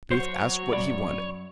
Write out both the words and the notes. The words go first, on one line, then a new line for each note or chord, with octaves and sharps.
Booth asked what he wanted!
F#3 F#4 C5 C#5
F#2 D5 B5